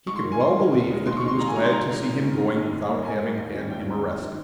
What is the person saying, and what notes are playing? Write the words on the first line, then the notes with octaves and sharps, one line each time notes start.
He could well believe that he was glad to see him going without having had him arrested.
G#2 C#6
C6
D#3 A#3
G#5
G#2 C6
D#3 A#3
D#2
D#3 G#3 D#4
D#2 C6
C#6
D#3 G#3 D#4 C6
A#1 A#5
G#5
A#2 G#3 D#4 A#5
C6
A#1 A#5
A#2 G#3 D#4
G#2
D#3 G#3 C#4
G#2 A#5
D#3 G#3 C#4
G#2
G3 A#3
G#2 G#5
G3 A#3
D#2
D#3 G3 C#4
D#2 G5
D#3 G3 C#4
F1
D#3